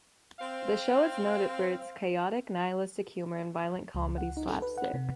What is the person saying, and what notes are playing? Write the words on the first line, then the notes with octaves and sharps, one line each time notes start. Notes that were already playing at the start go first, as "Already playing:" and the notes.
The show is noted for its chaotic, nihilistic humour and violent comedy slapstick.
C4 F5
C#2
F#5
D#4
A4
B4
F#5
C3